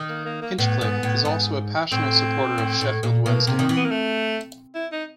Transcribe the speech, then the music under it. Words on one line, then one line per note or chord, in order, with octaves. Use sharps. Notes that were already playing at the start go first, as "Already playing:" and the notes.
Hinchcliffe is also a passionate supporter of Sheffield Wednesday.
Already playing: D#3
A#3
A#3
A#3
A2 B3
G#2
A2
G#2
A2 C4
A2
A2
A#2
B2 A#3
C3
D#3
E3
B3
A#3
A3
E4
D#4